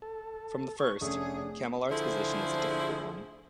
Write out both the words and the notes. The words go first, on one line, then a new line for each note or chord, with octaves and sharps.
From the first, Chamillart's position was a difficult one.
A4
C#6
F1 A3 C#4 D4 G#4 D#6
D3 F3 A3 E4 G#4 C5